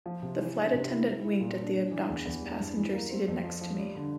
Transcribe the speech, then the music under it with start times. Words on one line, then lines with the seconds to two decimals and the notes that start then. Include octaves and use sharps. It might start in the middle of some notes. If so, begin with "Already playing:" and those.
The flight attendant winked at the obnoxious passenger seated next to me.
0.06 F3
0.22 C3
0.39 E3
0.56 D4
0.73 C3
0.90 E4
1.07 E4
1.24 E4
1.41 A#2
1.58 D4
1.75 D4
1.92 E3
2.09 E2
2.26 E2
2.42 G3
2.60 G2
2.77 E3
2.93 A#3
3.11 C4
3.28 F2
3.44 F3
3.61 F3
3.78 G3
3.95 D3